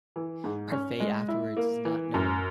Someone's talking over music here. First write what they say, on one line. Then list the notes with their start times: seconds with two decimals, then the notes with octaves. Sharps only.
Her fate afterwards is not known.
0.16 E3
0.44 G#2
0.72 C#4
1.00 G#3
1.28 E4
1.57 A#3
1.85 E3
2.14 F#2